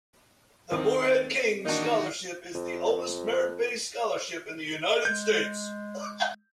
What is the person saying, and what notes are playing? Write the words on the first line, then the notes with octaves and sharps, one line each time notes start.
The Morehead-Cain Scholarship is the oldest merit-based scholarship in the United States.
D#2 D#3 C4
D#3 E3 A#3 D4 D#4 F#4
F2
G#3 G6